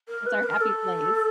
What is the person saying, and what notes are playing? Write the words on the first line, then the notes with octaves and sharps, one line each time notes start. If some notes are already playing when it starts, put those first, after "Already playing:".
that's our happy place.
A#4
B4
A#4
A4